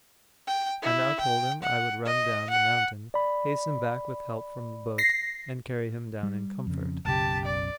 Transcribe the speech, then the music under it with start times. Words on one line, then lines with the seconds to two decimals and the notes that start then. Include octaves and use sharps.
I now told him I would run down the mountain, hasten back with help from the boat, and carry him down in comfort.
0.47 G5
0.82 E4
1.20 G5
1.63 F#5
2.05 D#5
2.50 F#5
3.14 D5 B5
4.98 A#6 C7
6.23 G3
6.67 F2 C#3
7.05 F#1 B1 C#3 G4 A5
7.46 D5